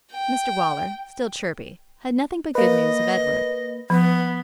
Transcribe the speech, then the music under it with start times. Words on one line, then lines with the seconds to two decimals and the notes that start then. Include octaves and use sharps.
Mr Waller, still chirpy, had nothing but good news of Edward.
0.12 G5
2.55 A#3 B4 D#5
3.90 F3 B3